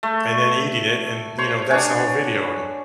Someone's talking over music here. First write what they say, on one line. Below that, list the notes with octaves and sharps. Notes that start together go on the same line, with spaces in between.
and then eating it, and, you know, that's the whole video. And
A3
C5 C#5
D4 C#5 F#5 G#5